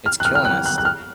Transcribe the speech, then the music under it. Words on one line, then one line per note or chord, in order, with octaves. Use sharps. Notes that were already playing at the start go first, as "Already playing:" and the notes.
It's killing us.
F6
F#6
F6
F6
F#6
F#6
F#6
F6